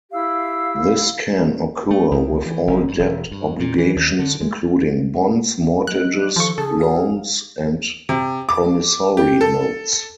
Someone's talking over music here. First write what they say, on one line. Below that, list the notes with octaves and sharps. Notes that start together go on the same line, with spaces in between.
This can occur with all debt obligations including bonds, mortgages, loans, and promissory notes.
E4 G4 F5 E6
A3
C#2
E3
F#1
G2
E1
G2
A#2
E3
D#2
D3
G#3
F#3 A#3 D#5 F#6
D#3 F3 A4 C#6
C#3 G#4 A4
F#4 F5
C3
D6
G4
A4